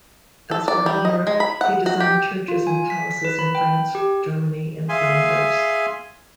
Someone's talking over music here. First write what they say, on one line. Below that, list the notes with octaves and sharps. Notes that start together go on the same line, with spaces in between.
Elsewhere in Europe, he designed churches and palaces in France, Germany and Flanders.
A4
D5
G3
D#5
G#3
B5
F#5
F#4
G4
F4
G#5
B6
B6
B4
B5
G5
G4
G#4 E5 F5 G#5 C6